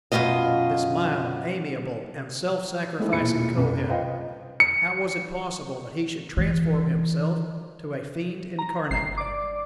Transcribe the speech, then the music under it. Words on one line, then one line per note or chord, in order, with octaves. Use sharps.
This mild, amiable, and self-sacrificing Kohen, how was it possible that he should transform himself to a fiend incarnate?
F#2 B2 F3 G#3 F4 D#5
G#3 A3 C4 D#4 E4 A4
E1 A#2 E4 B5 C#7
F#1 C2
F4 B4 C5 D#5 F5 G5
C#7
E3
A#5
G1 C7
D5 D6